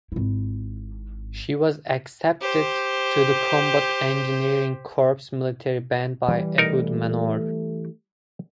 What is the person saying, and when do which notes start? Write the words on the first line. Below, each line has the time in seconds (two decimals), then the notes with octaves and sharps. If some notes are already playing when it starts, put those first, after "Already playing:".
She was accepted to the Combat Engineering Corps military band by Ehud Manor.
0.12 G#1 E4
2.41 G4 C5
6.28 E3 G3
6.58 A3 D#4 A#4